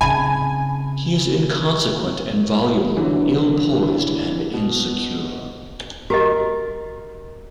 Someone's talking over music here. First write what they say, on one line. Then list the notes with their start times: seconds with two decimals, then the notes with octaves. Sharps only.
He is inconsequent and voluble, ill poised and insecure.
0.01 C#3 C4 D#4 E5 G#5 B5
2.97 D3 E3 F#3
4.53 B2
6.10 F#4 G4 A#4 D#5